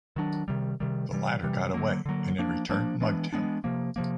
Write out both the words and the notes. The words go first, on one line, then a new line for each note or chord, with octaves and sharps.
The latter got away, and in return mugged him.
D#3 F#3 B3 D4
C3 D#3 G3
C3 D#3 G3
C3 E3 G3
C3 E3 G3
D3 F#3 A#3
D3 F#3 A#3
F3 A#3 D4
F3 A#3 D4
E3 G#3 B3 D4
E3 G#3 B3 D4
C3 F3 A#3
C3 F3 A#3